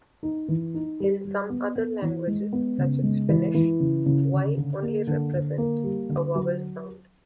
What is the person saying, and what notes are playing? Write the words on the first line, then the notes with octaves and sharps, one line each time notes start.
In some other languages, such as Finnish, "y" only represents a vowel sound.
D#4
E3
D#4
G3
G3
B3
B3
E3
G#3
B3
C#3
G#3
E3
E3
C#3
C#3
D3
D3
A#3
D3
D3
A#3
G3
D3
F#3